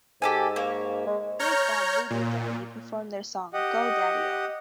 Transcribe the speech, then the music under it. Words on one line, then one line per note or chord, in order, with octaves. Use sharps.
Big Bad Voodoo Daddy performed their song "Go Daddy-O".
G#2 G4 A4 G#5
A#3 C#5
G#3
C#5 A#5 F6 G6
A#2
G4 D#5 F#5